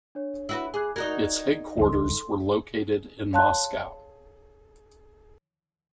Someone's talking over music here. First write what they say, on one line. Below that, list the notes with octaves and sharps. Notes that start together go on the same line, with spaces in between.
Its headquarters were located in Moscow.
D4 C#5
E4 F#4 B4
G#4 G#5 D6 F#6
D#4 F#4 A#4 D5 A#5 G#6
D#1 C#2 G2 A4 C6
C#5 F5 A5 C6 F#6